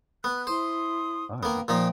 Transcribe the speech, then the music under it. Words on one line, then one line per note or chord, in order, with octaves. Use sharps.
Oh, yeah.
B3 F#6
E4 C5 C6 D#6
A#3 B3 G5
A#2 F3 D#4 G5